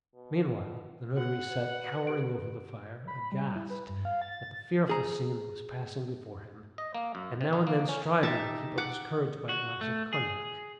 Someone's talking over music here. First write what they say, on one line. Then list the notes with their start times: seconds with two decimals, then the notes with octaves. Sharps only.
Meanwhile the notary sat cowering over the fire, aghast at the fearful scene that was passing before him, and now and then striving to keep up his courage by a glass of cognac.
0.15 B2
1.17 F#4 F#5
1.49 B4
2.07 G4 D7
3.07 B5
3.32 G3
3.56 E4
3.70 B4
3.89 G2
4.05 F5
4.22 A6
4.89 G#4 A#5
6.78 D#5
6.94 A#3
7.15 F#2
7.41 C3
7.53 D#4
7.67 A#3
7.89 C#4
8.23 D#4 G4 E5 A5
8.78 F#5 D6
9.49 F#4
9.81 A3
10.13 G#4